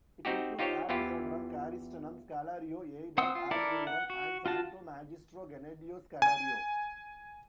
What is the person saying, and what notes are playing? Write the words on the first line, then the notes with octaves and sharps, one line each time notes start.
It includes "Ad Theodorum Carystenum", "Scholario," "Eidem", "Ad eundem" and "Sancto magistro Gennadio Scholario".
C4 D#4 F#4 G4
D#4 F4 G4 C5 C#5
E2 E3 E4 F4 G4
C4 F#5 C6 D#6 E6
F4
E4 A4 A#4 D5
F#5
F#4
F4 F#4 A5
G#5